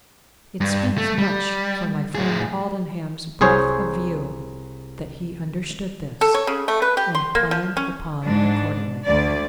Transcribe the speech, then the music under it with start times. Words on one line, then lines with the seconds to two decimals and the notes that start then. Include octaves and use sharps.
It speaks much for my friend Aldenham's breadth of view that he understood this, and planned the pond accordingly.
0.61 G2
0.98 A3
1.18 G3
2.15 A2 G#4
3.41 C2 G#4 C5 C#5
6.21 A4
6.34 C#5
6.47 C#3
6.68 A3
6.82 B4
6.97 G4
7.15 C6
7.35 A#3
7.51 F3
7.77 C#4
8.24 G#2 D4
9.05 D2 D5